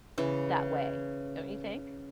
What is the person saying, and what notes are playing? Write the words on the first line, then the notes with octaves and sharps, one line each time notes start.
that way, don't you think?
C#3 E3